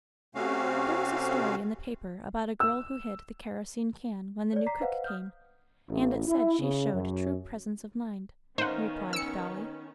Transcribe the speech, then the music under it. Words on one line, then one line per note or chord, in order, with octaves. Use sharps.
"There was a story in the paper about a girl who hid the kerosene can when the new cook came, and it said she showed true presence of mind," replied Dolly.
C3 A3 C4 C#4 F#4 F5
E6
C#5 D5
A#5 D6 B6 C7
B4 C5 D#5 F5 F#5
D#6 F6 G6
A1
E4
C#3
F#2
D#3 B3 C#4 D#4 C5 F5 F#5
E6 C#7